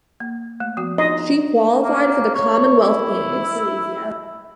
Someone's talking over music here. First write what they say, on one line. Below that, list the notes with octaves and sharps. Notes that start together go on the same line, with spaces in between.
She qualified for the Commonwealth Games.
A#3
A3
F3 B3 F#4
D4 D#4 F4 D#5
A#3
C#5
E4